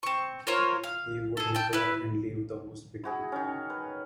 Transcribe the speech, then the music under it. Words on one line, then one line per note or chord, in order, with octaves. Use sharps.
He would recover and leave the hospital.
C4 C#6
F4 A#4 C5 C#5
F5
G#4 A4
G5 A5
E4 B4
E4 F#4 G#4
D#3 C#4
B4